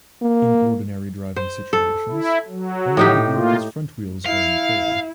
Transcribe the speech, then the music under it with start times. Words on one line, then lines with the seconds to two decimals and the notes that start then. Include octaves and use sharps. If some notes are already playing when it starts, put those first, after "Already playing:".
In ordinary driving situations, only the vehicle's front wheels are employed.
0.22 A#3
1.36 C5
1.73 A4
2.11 E4
2.48 F#3
2.97 A2 D#4 G4
3.35 A#3 F4
4.25 E4 F5